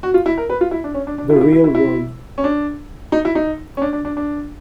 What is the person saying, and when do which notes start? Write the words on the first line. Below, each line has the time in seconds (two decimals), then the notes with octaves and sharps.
The Real World.
0.03 F#4
0.14 F4
0.26 E4
0.38 A#4
0.50 B4
0.61 F4
0.71 E4
0.84 D4
0.94 C#4
1.07 D4
1.18 D4
1.30 E4
1.36 F4
1.41 E4
1.52 E4
1.64 E4
1.75 E4
2.38 C#4
2.44 D4
3.12 D#4
3.25 E4
3.35 D#4
3.77 C#4
3.82 D4
3.93 D4
4.05 D4
4.17 D4